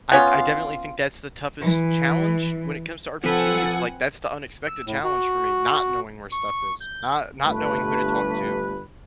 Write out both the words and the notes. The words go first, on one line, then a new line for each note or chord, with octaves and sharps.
I I definitely think that's the toughest challenge when it comes to RPGs, like, that's the unexpected challenge for me, not knowing where stuff is, not not knowing who to talk to,
B3 C#4 F4
E3
F3 C4 A4 B4 F#5 G#5
E6
A2
F#4
C#6
G6
G1 G2 A3 B4